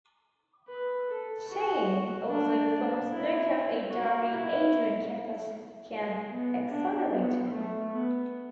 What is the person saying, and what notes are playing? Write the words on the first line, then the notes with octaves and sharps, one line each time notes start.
Cheyenne also informs Nick of a diary Adrian kept that can exonerate him.
B4
A4
F#4
D4
E4
F#4
E4
B3
D4
B3
A3
B3